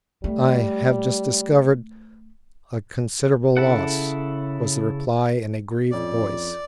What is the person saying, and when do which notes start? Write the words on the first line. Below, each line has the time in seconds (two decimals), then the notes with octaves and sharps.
"I have just discovered a considerable loss," was the reply in a grieved voice.
0.24 G3 A3
3.57 C#3 E4 A4 F#5
5.91 F2 C#4 D5